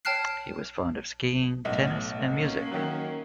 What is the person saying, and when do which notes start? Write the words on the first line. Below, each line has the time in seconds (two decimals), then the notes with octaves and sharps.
He was fond of skiing, tennis, and music.
0.05 C#5 G5 A5 F6 F#6 C7
1.65 B1 A2
2.36 A#3 C#4
2.71 D#3 F#3